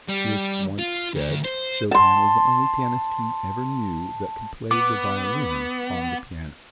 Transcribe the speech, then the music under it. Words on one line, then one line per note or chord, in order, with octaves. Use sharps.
Liszt once said Chopin was the only pianist he ever knew that could play the violin on the piano.
G3
F4
D2
C5
A5 C6
B3 D6